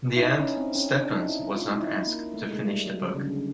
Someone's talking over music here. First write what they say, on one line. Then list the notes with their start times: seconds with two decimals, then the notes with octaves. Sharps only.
In the end, Stephens was not asked to finish the book.
0.16 E4
0.22 D#4
0.40 C#4
0.57 C4
0.75 C#4
0.93 D4
1.11 D#4
1.28 E4
1.54 F4
1.76 D#4
1.81 E4
2.07 A#3
2.34 A3
2.51 G#3
2.68 G3
2.86 F#3
3.04 C#3
3.16 C#3
3.21 D3